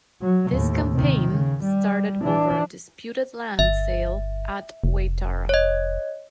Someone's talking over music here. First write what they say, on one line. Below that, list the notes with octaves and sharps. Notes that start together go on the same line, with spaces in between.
This campaign started over a disputed land sale at Waitara.
F#3
D#2 A2
C3 D#3
C#3
G3
E3 D4
G1 E5
F1
C#5 D#5